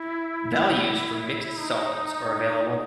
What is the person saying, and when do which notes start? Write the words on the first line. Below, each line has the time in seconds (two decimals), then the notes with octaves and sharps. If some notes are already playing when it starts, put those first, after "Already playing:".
Values for mixed solvents are available.
Already playing: E4
1.57 D#4